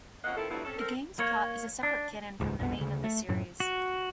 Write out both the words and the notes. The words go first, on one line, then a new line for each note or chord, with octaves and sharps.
The game's plot is a separate canon from the main of the series.
F2 A#3 C#4 D#5 F#5
D#3 F3 C4 E4 A4
G2 F3 F#3 A3 B3 E4
C3 C#4 A4
C4 A4 A#4
A#3 C#5
D4
D#1 C#2 G#2
A#1 F2 B2 B3
D2 C#3
A3
F#2 A2 F#3
F#4